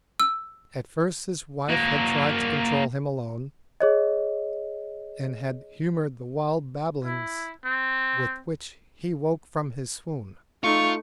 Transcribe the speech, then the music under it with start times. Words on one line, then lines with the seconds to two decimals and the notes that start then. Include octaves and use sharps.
At first his wife had tried to control him alone, and had humoured the wild babblings with which he woke from his swoon.
0.20 E6
1.69 A#3 F#4
3.81 G#4 C#5 D#5
7.05 E4
7.65 C4
10.64 A3 D#4 F4 C#6